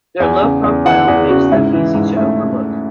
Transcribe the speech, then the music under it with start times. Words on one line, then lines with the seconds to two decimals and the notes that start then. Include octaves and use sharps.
Their low profile makes them easy to overlook.
0.20 E2 G#5
0.42 C#3
0.64 E2
0.85 E3 F#5
1.07 E2 G#4
1.29 C#3 F#4
1.51 G#2 E4
1.73 E3
1.95 G#2
2.17 A3